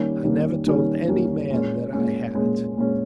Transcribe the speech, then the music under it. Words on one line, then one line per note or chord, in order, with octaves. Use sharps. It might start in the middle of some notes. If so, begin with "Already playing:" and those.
"I never told any man that I had it."
Already playing: D#3 G3 A#3 C#4 G4
D#3 G3 A#3 C#4 G4
D#3 G3 A#3 C#4 G4
D#3 G3 A#3 C#4 G4
A#2 G#3 C#4
A#2 G#3 C#4
A#2 G#3 C#4
A#2 G#3 C#4